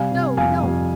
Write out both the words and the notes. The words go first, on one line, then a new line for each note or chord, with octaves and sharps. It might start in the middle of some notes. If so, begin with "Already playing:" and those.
No! no!
Already playing: C3 G3 F5 G#5
C3
F2 F5 G#5
F2